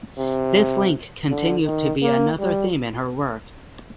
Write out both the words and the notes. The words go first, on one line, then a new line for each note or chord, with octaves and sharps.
This link continued to be another theme in her work.
C3
D3
D#3
A#3
G3